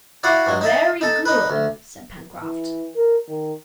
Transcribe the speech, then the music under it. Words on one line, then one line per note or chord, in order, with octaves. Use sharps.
"Very good," said Pencroft.
E4 F#4 D5 F5 F#5
G2 F#3 G#3
D#4 E5 A5
D#4 A4 A5
D#4 B4
D2
E3
A#4
D#3